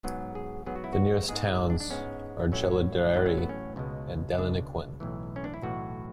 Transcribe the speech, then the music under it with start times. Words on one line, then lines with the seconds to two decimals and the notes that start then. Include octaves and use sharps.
The nearest towns are Jerilderie and Deniliquin.
0.04 G#2 F#3 B3 G#4
0.35 G#4
0.66 G#2 F#3 B3 G#4
0.76 F#4
0.84 E4
0.93 F#4
1.28 G#2 G#3 B3 G#4
1.70 D4
1.80 D4
1.90 G#2 G#3 B3 C#4
2.52 A1 A2 F#3 A3 C#4
3.14 A1 A2 F#3 A3 D4
3.26 C#4
3.38 B3
3.49 C#4
3.76 C#2 B2 G#3
4.38 C#2 B2 G#3 D4
5.00 B1 A2 E3
5.36 C#4
5.44 D4
5.54 E4
5.62 B1 A2 E3 F#4